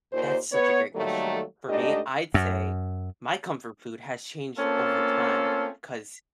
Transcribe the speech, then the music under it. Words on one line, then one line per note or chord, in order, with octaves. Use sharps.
that's such a great question. For me, I'd say my comfort food has changed over time 'cause
D#2 A#2 C5
B3 C#5
D#3 F#3 G3 A3 A#3 A4
G#2 A3 D4 G4 D#5
F#2
A3 A#3 C4 C#4 F4 A4